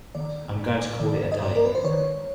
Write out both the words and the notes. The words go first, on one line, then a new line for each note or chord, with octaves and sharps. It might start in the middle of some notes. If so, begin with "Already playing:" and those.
I'm going to call it a day.
D#3 D5
G2
D#3 D5
D#5
G#2 D5
A#4
B4
C5
D#3 C#5